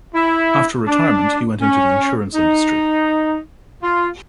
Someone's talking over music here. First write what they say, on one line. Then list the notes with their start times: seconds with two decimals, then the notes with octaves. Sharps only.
After retirement, he went into the insurance industry.
0.14 E4
0.87 D4
1.61 C#4
2.35 D#4
3.82 F4